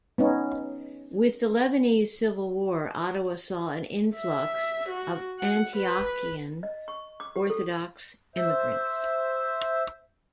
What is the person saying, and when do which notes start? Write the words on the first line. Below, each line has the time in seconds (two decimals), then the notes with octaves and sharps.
With the Lebanese Civil War Ottawa saw an influx of Antiochian Orthodox immigrants.
0.18 B3 C#4 D#4
4.17 E5
4.89 F#4
5.40 F#5
5.76 B4
6.63 D#5
6.88 C#6
7.20 D6
7.36 G4
7.50 A4
8.36 C5 E5